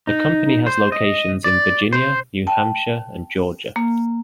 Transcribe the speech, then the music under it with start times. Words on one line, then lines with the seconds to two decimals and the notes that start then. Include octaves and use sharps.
The company has locations in Virginia, New Hampshire, and Georgia.
0.07 D#4
0.67 C5
0.92 D#5
1.44 D5
1.93 C5
2.47 G5 A5
3.76 A#3